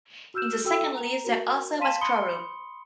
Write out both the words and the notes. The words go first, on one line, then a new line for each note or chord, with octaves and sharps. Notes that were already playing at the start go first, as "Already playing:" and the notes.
In the second list there also was quorum.
F#4 E6 F6 G6 E7
F#4 A4 G5 E6
A#5 F7
F#4 A#4
F5 A5 C6 B6 D#7 E7
B5 C6 D#6 C#7 G7